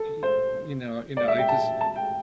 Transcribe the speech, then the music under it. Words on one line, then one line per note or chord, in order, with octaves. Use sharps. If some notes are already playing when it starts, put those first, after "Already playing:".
y y you know you know, I just
Already playing: A4
C5
D5
E5
G5
A5
A5
G5